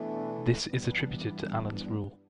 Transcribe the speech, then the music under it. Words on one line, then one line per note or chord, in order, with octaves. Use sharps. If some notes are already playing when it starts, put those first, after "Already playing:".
This is attributed to Allen's rule.
Already playing: B2 E3 A3 B3 D4
G2 E3 G3 B3 D4